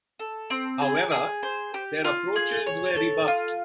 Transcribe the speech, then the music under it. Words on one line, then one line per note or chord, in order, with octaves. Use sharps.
However, their approaches were rebuffed.
A4
C4
G#4
G#4
C5
G4
F4
G#4
C#5
A4
F4